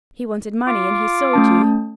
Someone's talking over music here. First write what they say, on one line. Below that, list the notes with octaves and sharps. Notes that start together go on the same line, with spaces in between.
He wanted money, and he sold you.
F4 D6
A3 C#4 A5